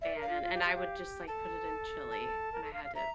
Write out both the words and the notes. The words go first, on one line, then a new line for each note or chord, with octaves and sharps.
fan, and and I would just, like, put it in chili when I had to
D5 E5
A#4
F5
F4
F4
G4
G4
G4
A4 A5
A5
A#4
A4
F5
F5
E5 A#5